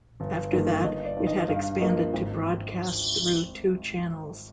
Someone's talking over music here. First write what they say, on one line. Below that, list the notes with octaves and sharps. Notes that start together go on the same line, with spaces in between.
After that, it had expanded to broadcast through two channels.
G1
G2 D#3 A#3
G1 D#5
D5
G2 D#3
D#5
G2 F5
F3 A#3 D#5
G#1